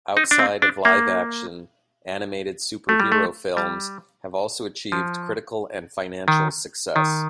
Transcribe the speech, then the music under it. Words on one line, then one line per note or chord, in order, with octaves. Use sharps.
Outside of live action, animated superhero films have also achieved critical and financial success.
D#4
D4
C4
D4
A#3
A3
G3
A3
G3
F3
D#3
D#3